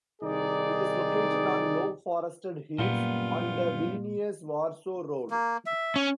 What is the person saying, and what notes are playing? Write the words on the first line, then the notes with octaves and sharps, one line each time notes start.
It is located on low forested hills, on the Vilnius-Warsaw road.
C2 D#3 D#4 G#4 D5
F#2 A#2 G3 B3 F4
A#3
E5
C#4